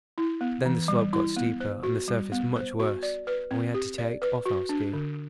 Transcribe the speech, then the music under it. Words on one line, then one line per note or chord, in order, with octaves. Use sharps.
Then the slope got steeper and the surface much worse, and we had to take off our ski.
E4
B3
E3
G3
E4
B3
C5
F#4
G3
B3
C5
F#4
D5
B4
C4
G4
D5
B4
F#4
D4
D3